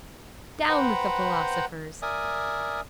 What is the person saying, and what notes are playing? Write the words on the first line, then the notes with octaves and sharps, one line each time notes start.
Down with the philosophers!
B4 C5 F#5 G5 A#5 B5
A#4 D5 E5 G#5 D#6